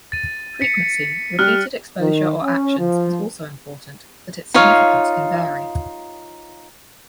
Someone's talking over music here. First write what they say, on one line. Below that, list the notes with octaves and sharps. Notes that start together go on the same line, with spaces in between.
Frequency, repeated exposure or actions, is also important, but its significance can vary.
A6 D#7
B6 C#7
G3 F6 F#6
D#3
C#4
F3
D#4 F4 C#5 F5